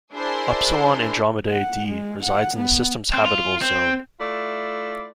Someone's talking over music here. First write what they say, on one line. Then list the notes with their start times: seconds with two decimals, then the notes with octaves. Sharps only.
Upsilon Andromedae d resides in the system's habitable zone.
0.15 D4 E4 G#4 A#4 C5 C6
1.50 F#5
1.88 G#3
2.23 F#5
2.58 B3
3.13 C4
3.26 F4
3.62 C4
4.19 A3 E4 F4 D5